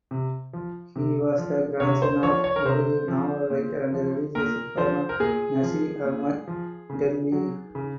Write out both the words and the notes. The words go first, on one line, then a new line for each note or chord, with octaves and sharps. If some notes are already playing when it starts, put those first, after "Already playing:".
He was the grandson of Urdu novel writer and religious reformer Nazir Ahmad Dehlvi.
C3
F3
C3
F3
C3 C#5
C5
F3 C#5
C#5
A#4
C3 C5
F3
A#2
F3
A#2 A#4
F3 C5
A#4
A#2 G#4
F3
A#2
F3
C#3
F#3
C#3